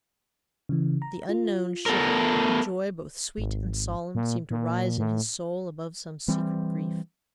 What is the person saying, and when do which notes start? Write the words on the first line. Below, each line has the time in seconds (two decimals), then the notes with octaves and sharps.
The unknown shivered; a joy both sweet and solemn seemed to rise in his soul above some secret grief.
0.69 C#3 E3
1.02 A#5
1.29 F4
1.86 B3 A4 A#4
3.38 G#1
4.15 A#2
4.51 A#2
4.98 A2
6.28 E3 G3 C4